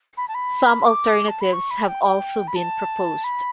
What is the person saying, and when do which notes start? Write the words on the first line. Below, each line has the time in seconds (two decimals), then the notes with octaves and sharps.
Some alternatives have also been proposed.
0.17 B5
0.28 A5
0.34 B5
0.85 D6
1.28 A5
1.40 B5
1.52 C#6
1.70 B5
1.87 G5
2.04 G5
2.47 B5
2.55 A5
3.24 B5